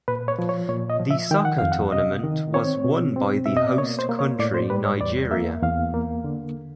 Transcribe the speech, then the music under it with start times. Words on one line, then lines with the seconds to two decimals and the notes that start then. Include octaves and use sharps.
The soccer tournament was won by the host country Nigeria.
0.08 A#2 B4
0.28 C#5
0.39 F3
0.49 C#5
0.69 A#2 C#5
0.90 D#5
1.00 F3
1.11 E5
1.31 D#3 G5
1.45 F#5
1.58 F2 F5
1.72 F#5
1.92 C3 D#5
2.24 D#3
2.54 C4 C#5
2.85 B2
3.16 C4
3.46 B2 E5
3.57 D#5
3.67 D5
3.78 A#3 C#5
3.99 C5
4.09 A#3
4.19 C#5
4.39 A2 D5
4.54 C5
4.70 G3 B4
4.85 C#5
5.01 E2 D5
5.31 A#3 E5
5.62 E2 F5
5.94 A#3
6.24 D3